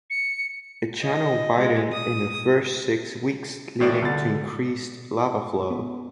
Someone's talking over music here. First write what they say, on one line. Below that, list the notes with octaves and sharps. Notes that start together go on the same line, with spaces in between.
The channel widened in the first six weeks leading to increased lava flow.
C#7
D#5
G#3
D#6
A1 A2 D5
C2 D3 A6
B3